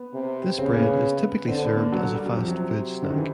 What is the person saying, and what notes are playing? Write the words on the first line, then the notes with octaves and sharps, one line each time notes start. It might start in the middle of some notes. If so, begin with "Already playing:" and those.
This bread is typically served as a fast food snack.
Already playing: B3
C3
C#3 C4
B3
A#3
B3
D3 C4
B3
A#3
F#3
G3
F#3
C3 F3
F#3
D3
D#3
E3